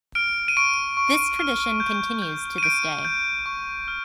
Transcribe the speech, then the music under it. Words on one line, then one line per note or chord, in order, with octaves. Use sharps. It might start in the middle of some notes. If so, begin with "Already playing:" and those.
This tradition continues to this day.
F6 D7
D#7
C#6 D7
C#6
F6
G6
G6
D#7
G6 D7
G6
C#6
F6